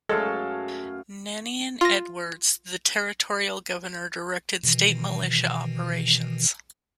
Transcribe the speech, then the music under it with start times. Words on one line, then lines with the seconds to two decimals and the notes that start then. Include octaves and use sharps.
Ninian Edwards, the territorial governor, directed state militia operations.
0.09 F#2 G#3 A3 A4 F5
1.81 F4 A#6
4.63 B2 D#3 E3